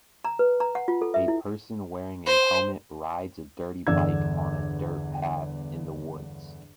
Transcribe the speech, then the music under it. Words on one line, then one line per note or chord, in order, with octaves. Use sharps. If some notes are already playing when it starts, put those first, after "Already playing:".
A person wearing a helmet rides a dirty bike on a dirt path in the woods.
A#5
B4
A#5
F#5
F4
A4
E5
E4
C5
G1 E2 D3 D5 E6 G#6